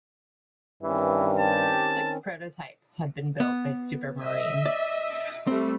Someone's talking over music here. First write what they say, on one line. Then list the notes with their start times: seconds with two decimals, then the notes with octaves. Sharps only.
Six prototypes had been built by Supermarine.
0.83 G2 D#3 E3 C4 C#4
1.39 G4 A5
3.40 B3
4.20 D#5 E5
4.66 D5
5.47 G3 A3 C4